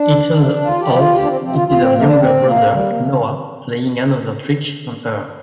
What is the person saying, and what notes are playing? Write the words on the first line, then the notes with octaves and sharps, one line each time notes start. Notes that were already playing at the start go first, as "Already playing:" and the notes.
It turns out it is her younger brother, Noah, playing another trick on her.
Already playing: D4
D2
C3 F3
D2 F4
G4
C3 F3
F4
D2 G4
D4
C4
C3 F3 C4
F4
D2 F4
C4
C3 F3 A#3
D4
D2 C4
C3 F3 A#3
D2 G3
A#3
C3 F3